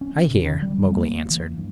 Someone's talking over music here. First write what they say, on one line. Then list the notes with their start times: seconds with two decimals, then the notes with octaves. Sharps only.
"I hear," Mowgli answered.
0.01 C#4
0.31 C3
0.46 D#3
0.62 G3
0.93 A#3
1.30 E3
1.57 G2